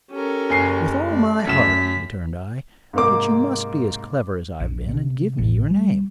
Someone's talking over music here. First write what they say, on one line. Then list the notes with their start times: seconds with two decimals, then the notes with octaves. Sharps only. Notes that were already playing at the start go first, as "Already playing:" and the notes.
"With all my heart," returned I; "but you must be as clever as I've been, and give me your name."
0.12 C#4 G4 A4 A#4
0.49 F#1 G#5 C7
1.10 A3 D5
1.47 F#2 B6 E7
2.93 G#2 C3 A#3 A#4 D6
4.60 A#1
4.89 C3
5.38 A1
5.71 G3